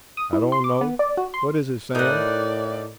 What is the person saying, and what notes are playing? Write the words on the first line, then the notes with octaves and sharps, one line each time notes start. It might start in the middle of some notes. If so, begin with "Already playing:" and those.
"I don't know,--what is it, Sam?"
D#6
E4
C6
D6
B3
D5
F#4
C6
A2 D#4 E4 A4 A#4 D5 F#5